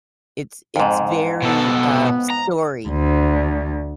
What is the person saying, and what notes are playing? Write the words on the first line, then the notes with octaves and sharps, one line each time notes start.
It's it's very, um, story.
F2 G#2
B2 B3 A4
A#5
D2